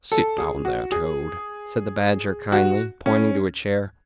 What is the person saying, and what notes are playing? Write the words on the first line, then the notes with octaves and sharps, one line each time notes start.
'Sit down there, Toad,' said the Badger kindly, pointing to a chair.
A4
G#4
F#4
G#4
F#4
C#4